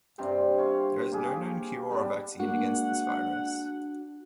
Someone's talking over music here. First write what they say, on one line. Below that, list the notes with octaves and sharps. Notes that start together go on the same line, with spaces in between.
There is no known cure or vaccine against this virus.
G2 C3 G5 C6
C#5 F5 C6
A#3 G4 G#4
G3 B3 D4
G#3 A#3 D4 F#4 F#5